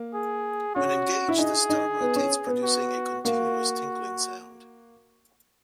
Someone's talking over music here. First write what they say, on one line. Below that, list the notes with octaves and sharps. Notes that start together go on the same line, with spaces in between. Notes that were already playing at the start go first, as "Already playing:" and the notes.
When engaged, the star rotates, producing a continuous tinkling sound.
Already playing: A#3
G#4
C#4 F#4
E4
D#4 G#4
D#4
B3
C#4
B3
F#4
A#3 F#4